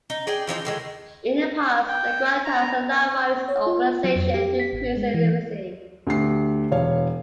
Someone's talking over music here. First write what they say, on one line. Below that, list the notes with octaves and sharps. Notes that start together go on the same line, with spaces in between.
In the past the grant has allowed various organization to increase efficiency.
D#4
G#4 D5 G5
E3 F3 D#4 C5
A2 D#3 G#3
G5
A#5
C#5
F4
F#3
F2
G4
B6
G#1
G#3
E3
D2 G4 C7
E1 C#5 F5